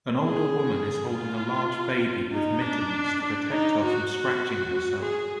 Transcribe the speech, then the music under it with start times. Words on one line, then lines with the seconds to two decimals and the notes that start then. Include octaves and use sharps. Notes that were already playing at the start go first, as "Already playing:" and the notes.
An older woman is holding a large baby with mittens to protect her from scratching herself.
0.22 G#4
1.12 F4
2.32 D#4
2.61 D4
3.22 D4
3.51 D#4
3.82 F#4
4.12 F#4
5.01 G#4